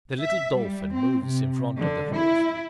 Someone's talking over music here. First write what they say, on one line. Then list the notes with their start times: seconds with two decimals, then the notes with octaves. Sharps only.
The little Dolphin moves in front of the Horse.
0.21 E5
0.57 G3
0.93 C4
1.26 C3
1.79 D3
2.14 E4